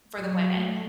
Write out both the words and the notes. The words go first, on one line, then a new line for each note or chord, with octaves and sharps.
for the women.
F#3
A3